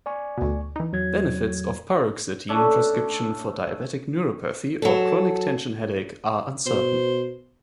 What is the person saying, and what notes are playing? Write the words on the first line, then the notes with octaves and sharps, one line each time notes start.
Benefits of paroxetine prescription for diabetic neuropathy or chronic tension headache are uncertain.
D5 G#5 C#6
D2 B2
E3 D#4
E2 F#3 G#6
A3 C#4 D4 E5
F#3 G#4 A4
B2 C5